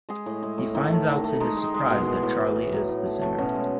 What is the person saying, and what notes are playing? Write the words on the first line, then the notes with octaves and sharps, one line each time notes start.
He finds out to his surprise that Charlie is the singer.
G#3 G#4
A2
G#3 E4
A2
D#3 E4
A3
D#3
A3
G#3 D#4
G#3
G#3
B2
E3
A2
E3
A2
F#3
A2
A3
A3
B2 C#4
G#3